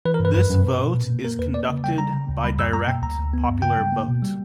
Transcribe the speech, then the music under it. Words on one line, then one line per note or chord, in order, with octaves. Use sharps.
This vote is conducted by direct popular vote.
E3 B4
A#4
G2 B4
F#2 B4
F#2
B2
B2
A#2
A#3
A#3 A#4
E2 B4
A#3 D5
C#3
G3 G5
G3 A#5
C#3
D2
G3 B5
F#2 E6
A#3 A#5
B2 G5
D2 A#5
D2
B3
G2
C#3 G5
G3
A#3
B2
G3